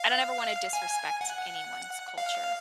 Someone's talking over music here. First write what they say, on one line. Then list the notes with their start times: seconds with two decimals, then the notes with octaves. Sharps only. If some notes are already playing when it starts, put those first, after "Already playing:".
I don't ever wanna disrespect anyone's culture
Already playing: F5
0.73 G#5
1.21 F#5
2.18 F5